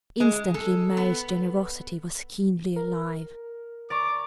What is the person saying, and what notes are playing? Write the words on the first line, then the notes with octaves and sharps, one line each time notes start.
Instantly Mary's generosity was keenly alive.
G#3
A4
B3
A#4
D5 A#5 C#6 D6